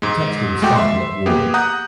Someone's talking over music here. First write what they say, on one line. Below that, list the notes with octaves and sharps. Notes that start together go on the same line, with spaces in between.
The texture was fine yet warm.
G#2 G#3
G#1 G#3 A3 F#4 G5 D6
E5 C6
A#3 B3 G4 G#4
F#5 A#5 D#6 F#6 G6